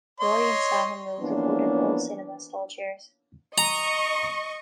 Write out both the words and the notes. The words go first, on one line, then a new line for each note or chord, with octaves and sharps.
The audience sat on rows of wooden old cinema-style chairs.
C#5 D#5 C6
E3 F3 A#3 B3 C#4 D4
D#5 A#5 C#6